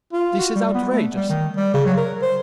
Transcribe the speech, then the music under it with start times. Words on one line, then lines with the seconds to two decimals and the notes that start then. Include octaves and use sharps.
This is outrageous!
0.13 F4
0.39 F#4
0.55 G3
0.75 B3
0.93 A3
1.15 G3
1.29 D#3
1.56 G3
1.74 C#3
1.86 F#3
1.97 A#4
2.22 C5